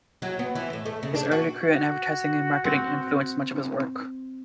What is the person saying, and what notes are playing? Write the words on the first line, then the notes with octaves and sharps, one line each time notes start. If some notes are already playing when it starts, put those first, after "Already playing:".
His early career in advertising and marketing influenced much of his work.
F#3
B3
E3
A2
A3
C#3
D4
F#4
F#4
C4